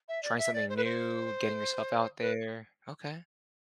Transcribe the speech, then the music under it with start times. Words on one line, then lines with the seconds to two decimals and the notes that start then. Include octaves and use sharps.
trying something new, getting yourself out there. Okay.
0.08 E5
0.23 D5
0.38 E5
0.54 D5
0.69 C5
0.77 B4
0.84 C5
2.21 B4